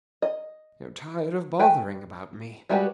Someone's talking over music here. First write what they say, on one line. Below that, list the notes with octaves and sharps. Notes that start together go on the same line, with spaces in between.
You're tired of bothering about me.
D#5
B4 G5 G#5
G3 G#3 F#4 G4 B4